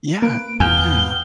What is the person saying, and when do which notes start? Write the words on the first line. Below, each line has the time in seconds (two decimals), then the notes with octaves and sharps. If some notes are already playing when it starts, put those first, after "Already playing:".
Yeah, yeah.
0.22 A#3 B4 D7
0.60 E2 B3 F5 G5 G#5 G7